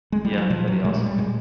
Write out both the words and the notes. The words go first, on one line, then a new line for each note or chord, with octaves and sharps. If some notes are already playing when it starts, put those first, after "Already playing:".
Yeah. That'd be awesome.
G#3
G3
F#3
A#2 F3
F#3
A#2 G#3
G3
G3
A#2 G#3